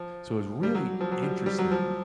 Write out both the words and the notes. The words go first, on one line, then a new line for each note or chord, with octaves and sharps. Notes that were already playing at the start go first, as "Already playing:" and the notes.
So, it's really interesting,
Already playing: F3
G3
F#3
F3
F#3
G3
G3
F#3
F3